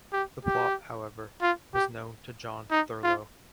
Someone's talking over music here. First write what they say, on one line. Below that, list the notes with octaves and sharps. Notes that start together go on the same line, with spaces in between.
The plot, however, was known to John Thurloe.
G4
G4
F4
G4
D#4
F4